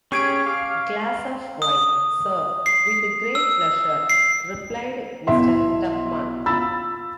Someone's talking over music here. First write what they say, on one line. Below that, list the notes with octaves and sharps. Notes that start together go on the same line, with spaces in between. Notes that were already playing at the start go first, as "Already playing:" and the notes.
Glass of wine, Sir!’ ‘With great pleasure,’ replied Mr. Tupman.
C#4 G4 G#4 C#6 G#6 D7
F5 D6 F6
F5
D#6
C7
E6
C7
B1 E4 E5 C6
F4 B5 E6 A6